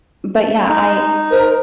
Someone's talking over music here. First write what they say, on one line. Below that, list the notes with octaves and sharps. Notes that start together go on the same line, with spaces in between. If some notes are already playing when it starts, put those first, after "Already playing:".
but yeah I
D#4
A#4 C5